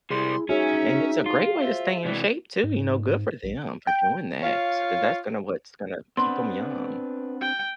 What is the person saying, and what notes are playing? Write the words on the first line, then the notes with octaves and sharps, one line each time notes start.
And it's a great way to stay in shape too, you know, good for them for doing that, so 'cause that's gonna what's gonna keep ‘em young.
C3 G3 E4 G#4 C6
C#4 D#4 F#4 G#4 C#5 E5
F4
C5 E5
C3 E3 G#3 D5
G#2
A#1
G5
F4 C#5 F5
B3 C4 D4 B4 C6
G5